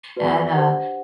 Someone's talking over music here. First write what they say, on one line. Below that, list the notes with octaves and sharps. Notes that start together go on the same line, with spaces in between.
And, uh
F#4 B4 D5
G#5
G5
D4 G4 C5 F#5